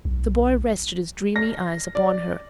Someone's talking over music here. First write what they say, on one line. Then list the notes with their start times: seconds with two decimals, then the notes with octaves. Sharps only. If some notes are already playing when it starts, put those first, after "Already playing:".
The boy rested his dreamy eyes upon her.
0.05 B1
1.36 A#6
1.95 D5